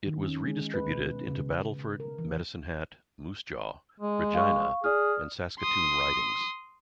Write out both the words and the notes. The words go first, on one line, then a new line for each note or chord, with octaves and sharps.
It was redistributed into Battleford, Medicine Hat, Moose Jaw, Regina and Saskatoon ridings.
D#3
C#4
G#3
B4
B2
C#3
A#4
E3
G#3
F5 C#6
G#4 D5 D#6 F6
C6 D#6